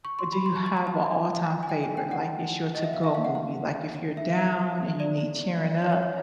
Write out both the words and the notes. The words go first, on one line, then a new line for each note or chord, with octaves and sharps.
but do you have a all-time favorite, like, it's your to-go movie, like, if you're down and you need cheering up
C#6
C6
B5
C6
C#6
C6
A#5
A5
G#5
G5
G#5
G5
F#5
D#5
E5
F5
E5
F5
F#5
F5
E5
D5
C#5
C#5
C#5